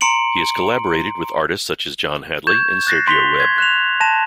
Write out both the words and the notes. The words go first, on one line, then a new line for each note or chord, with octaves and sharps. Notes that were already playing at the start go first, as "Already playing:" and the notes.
He has collaborated with artists such as John Hadley and Sergio Webb.
A#5 C6 C#7 D7 F#7
C#6 G6 G#6 E7
F#6 A6 A#6 C7
C6 B6 F7 G7
G#6
F#6 E7 F7
A5 A#6 E7